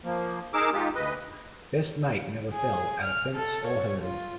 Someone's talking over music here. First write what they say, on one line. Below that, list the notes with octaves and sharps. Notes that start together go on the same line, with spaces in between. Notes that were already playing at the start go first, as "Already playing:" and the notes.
Best Mate never fell at a fence or hurdle.
F3 A#3
D#4 G#4 A#4 D6 E6
G#3 D#4 F4 G4
D2 B4 D#5
G#4
F6
A4
C#5
F4